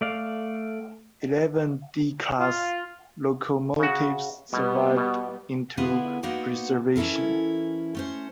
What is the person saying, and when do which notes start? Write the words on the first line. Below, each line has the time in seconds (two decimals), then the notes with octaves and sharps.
Eleven D class locomotives survived into preservation.
0.01 A3 D5 F5
2.40 F4
3.79 C#3 F#4
4.53 B2 G3 B3
4.97 B2
5.77 D3 B3 E4 F4 G#4
6.23 A#3 B3 D#4 F#4 C5 D5
6.96 E3 C#4 E4 A4 A#4
7.95 A3 C#4 C5